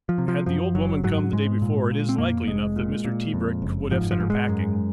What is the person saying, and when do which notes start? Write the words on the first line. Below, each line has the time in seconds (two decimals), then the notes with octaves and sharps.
Had the old woman come the day before it is likely enough that Mr. Tebrick would have sent her packing.
0.09 F3
0.18 C3
0.28 F3
0.46 F#2 F3
0.75 F#1 F#3
1.03 G#2 F#3
1.33 G#2 G#3
1.62 A#2
1.91 A#2
2.09 C4
2.18 F2 A#3
2.47 F1 G#3
2.76 A#2
3.04 A#2
3.34 F2
3.62 F#1
3.91 G#2 F3
4.11 F3
4.20 G#2
4.30 G#3
4.49 F#2